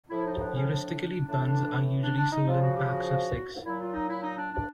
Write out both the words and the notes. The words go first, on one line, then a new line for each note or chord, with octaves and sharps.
Heuristically buns are usually sold in packs of six.
A2 F3 E4
D#4
D#4
D4
C#4
D4
A2 E3 D4
D4
D4
D#4
C#3 F3 F4
F#4
G4
F#4
A#2 F#3 E4
F4
D#4
E4
D#4
D4
D4